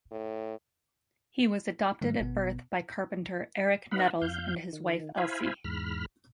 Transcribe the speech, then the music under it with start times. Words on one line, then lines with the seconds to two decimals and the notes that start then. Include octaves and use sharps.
He was adopted at birth by carpenter Eric Nettles and his wife Elsie.
0.11 A2
2.01 G#2 D#3 G3 A3
2.20 G#1 B2 B3
3.91 D#4 B4 F5 F#5 B5
4.22 F2 F5 G6
4.73 D#3
5.18 E4 C5 F5 G#5 B5
5.64 E2 G#2 B5 F6